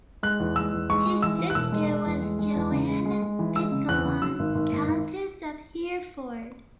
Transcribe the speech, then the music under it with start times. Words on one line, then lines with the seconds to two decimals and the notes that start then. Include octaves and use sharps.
His sister was Joan Fitzalan, Countess of Hereford.
0.23 G#3 F#6
0.40 E2
0.56 G#3 E6
0.73 E2
0.89 G#3 C#6
1.06 G#3
1.22 E3 E6
1.39 E3
1.50 F#6
1.55 E1 E6
1.72 G#3
1.89 G#3
2.06 E2
2.22 G#3
2.39 G#3
2.56 E2
2.72 C#3
2.88 G#3
3.06 G#3
3.22 G#3
3.39 E3
3.55 G#3 E6
3.72 C#3
3.89 E2 F#6
4.05 C#3
4.22 F#3 E6
4.39 G#1
4.55 G#1
4.72 G#1
4.88 G#1